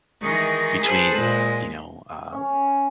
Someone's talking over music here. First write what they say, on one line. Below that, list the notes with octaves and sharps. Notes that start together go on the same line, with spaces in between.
between, you know, um,
D#3 E3 G#3 D#4 C#6
G#4 A4 B4 C5 B5 E6
A#2 G#3
C#4